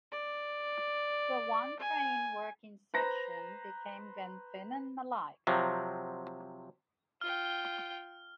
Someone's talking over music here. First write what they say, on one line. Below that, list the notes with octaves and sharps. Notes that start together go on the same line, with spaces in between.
The One Train Working section became Glenfinnan - Mallaig.
D5
G#5
B4 C5 A#5 A#6
C3 F3 F#3
F4 G5 F6